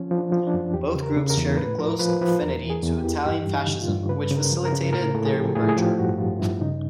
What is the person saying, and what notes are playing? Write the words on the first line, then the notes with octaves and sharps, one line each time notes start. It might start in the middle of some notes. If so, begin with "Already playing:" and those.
Both groups shared a close affinity to Italian fascism which facilitated their merger.
Already playing: F3 C#4
F3
D4
F3
D4
F#2
E2 G4
C#3
A#4
C#3
A#4
E2
A2 B4
F3 A#4
F3 B4
F3 B4
E2 A#4
E3
G#4
E2
G4
E3
G2 G4
G2
D#4
D3
F4
G2
C#3 B4
C#3
A#4
F3
A#4
C#3
A2 A#4
A2 A4
G#4
F3 G4
A2 G#4
G#4
F3 G4
G2 F#4
G2 F4
G2 E4
C#3 D#4